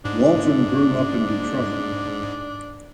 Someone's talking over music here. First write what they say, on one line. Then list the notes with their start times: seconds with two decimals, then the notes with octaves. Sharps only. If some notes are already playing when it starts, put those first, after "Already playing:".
Walton grew up in Detroit.
0.05 G#2 D4